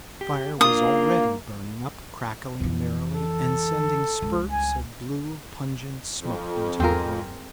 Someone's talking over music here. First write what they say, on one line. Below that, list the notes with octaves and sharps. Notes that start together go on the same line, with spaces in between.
The fire was already burning up, crackling merrily, and sending spurts of blue, pungent smoke into the room.
G4
A#3 D4 F4 D#6
F2 E3
A4
C#2 G2
G#5
F2
E2 C4 F4 G#4 A#4